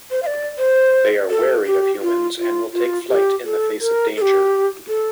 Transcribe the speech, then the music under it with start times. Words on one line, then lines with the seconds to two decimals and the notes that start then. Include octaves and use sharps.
They are wary of humans and will take flight in the face of danger.
0.11 C5
0.23 F5
0.27 D5
0.58 C5
1.30 A4
1.66 G4
2.02 F4
2.38 F4
2.74 F4
3.09 G4
3.45 A4
3.81 A#4
4.17 A4
4.22 G4
4.88 A4